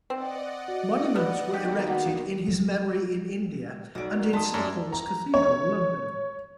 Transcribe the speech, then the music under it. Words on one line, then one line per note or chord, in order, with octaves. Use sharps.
Monuments were erected in his memory in India and in Saint Paul's Cathedral, London.
C4 D5 D#5 F#5
F#4
B3
D#3 A#3 B3 G4
F#4 F#5
F#3
B1 F#4 D5 D7
A#3
D#4 A5 C6 D#6 B6
F#2 G3 D4 D5
A#5
C#5